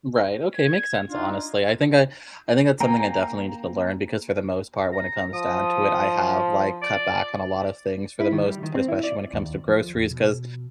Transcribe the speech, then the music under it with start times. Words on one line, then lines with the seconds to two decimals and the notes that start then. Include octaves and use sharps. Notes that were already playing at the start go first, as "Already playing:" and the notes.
Right, okay, makes sense, honestly. I think I I think that's something I definitely needed to learn because for the most part when it comes down to it, I have, like, cut back on a lot of things for the most part, especially when it comes to groceries 'cause
0.55 G#6
1.10 D4 D#4 F4
2.80 A#3 G5 G#5 A#5
4.92 A#5
5.34 F3 D#6
6.82 D5
8.20 E4
8.32 D#3
8.46 G3
8.63 D#3
8.74 C4
8.88 E4
9.03 D5
9.33 D#2
9.68 F3
9.95 E2
10.11 B2